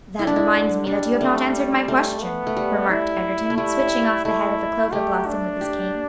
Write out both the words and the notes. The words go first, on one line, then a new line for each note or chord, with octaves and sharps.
"That reminds me that you have not answered my question," remarked Egerton, switching off the head of a clover-blossom with his cane.
D3 E4
D4
E4
G3 D4
A3
A3
B3
A3
G3
E4
A3
G3 E4
A3 E4
A3 G4
D4
G4